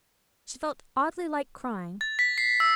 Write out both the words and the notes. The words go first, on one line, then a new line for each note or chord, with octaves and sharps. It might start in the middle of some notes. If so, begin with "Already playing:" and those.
She felt oddly like crying.
A6
B6
C7
E6